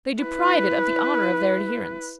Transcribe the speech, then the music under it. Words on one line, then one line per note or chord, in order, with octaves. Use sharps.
They deprive it of the honour of their adherence.
E4 B4